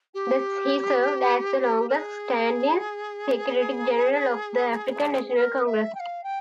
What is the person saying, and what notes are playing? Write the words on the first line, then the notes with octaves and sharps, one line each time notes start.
He served as the longest-standing secretary-general of the African National Congress.
G4
A#4
G#4
A#4
E5
G5
F5
G5